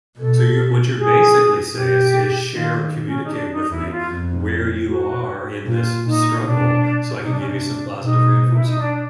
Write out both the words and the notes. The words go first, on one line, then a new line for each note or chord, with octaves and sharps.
So you're what you're basically say is is, "Share or communicate with me where you are in this struggle so I can give you some positive reinforcement."
B2 A4
G#4
B2 G4
D#3 F4
C#4
D#4
D4
D#4
E2 E4
F4
F2
F#4
A#2 F4
A#2 D#4
B2 D4
C3 D#4
D4
C#4
D4
B2 D#4
E4
D#4
D4